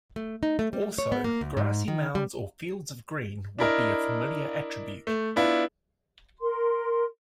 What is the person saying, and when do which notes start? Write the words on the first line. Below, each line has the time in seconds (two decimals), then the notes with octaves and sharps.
Also, grassy mounds or fields of green would be a familiar attribute.
0.16 A3
0.43 D#4
0.59 A3
0.73 G3
0.98 C#5
1.12 B3
1.24 A#3
1.41 D2
1.57 G#2
1.88 D#3
2.15 G3
3.59 D4 E4 A#4 D#5
5.07 A3
5.36 B3 D4 E4 F4
6.40 A#4 C6